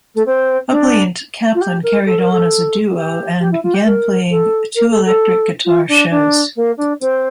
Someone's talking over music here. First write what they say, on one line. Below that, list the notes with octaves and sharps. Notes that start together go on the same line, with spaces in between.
Hubley and Kaplan carried on as a duo and began playing two-electric-guitar shows.
A3
C4
D4
F4
G4
A#4
A4
A#4
A4
F4
G4
G4
E4
F4
G4
A#4
A4
A#4
A4
A4
F4
D4
D4
A#3
D4
C4